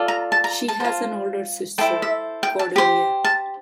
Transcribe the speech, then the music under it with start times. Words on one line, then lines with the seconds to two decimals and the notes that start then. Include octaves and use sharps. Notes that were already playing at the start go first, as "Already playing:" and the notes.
She has an older sister, Cordelia.
Already playing: F4 A4 D5
0.08 A#5
0.32 A5
0.44 A#5
0.68 A5
0.80 F4 C5
1.78 E4 A4 C5 G5
2.02 E5
2.43 G5
2.59 A5
2.76 G4 C5
3.24 A5